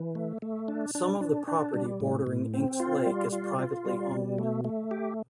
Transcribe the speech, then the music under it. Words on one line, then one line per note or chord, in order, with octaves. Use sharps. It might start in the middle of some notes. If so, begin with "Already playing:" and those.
Some of the property bordering Inks Lake is privately owned.
Already playing: E3
A3
A3
D4
D4
D4
D4
G3
A2
A2
C4
F4
G3
F4
F4
G3
B2
A3
A3
G4